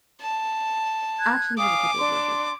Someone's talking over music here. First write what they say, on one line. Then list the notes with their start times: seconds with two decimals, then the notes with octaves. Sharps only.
I actually have a couple of approaches.
0.21 A5
1.18 F#6 G#6
1.58 F5 G#5 D6 D#6
1.98 D4 C6